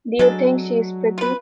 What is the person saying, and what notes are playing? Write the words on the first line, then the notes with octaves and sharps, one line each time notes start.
Do you think she is pretty?
F#3 G#3 D4 A4
F4 B4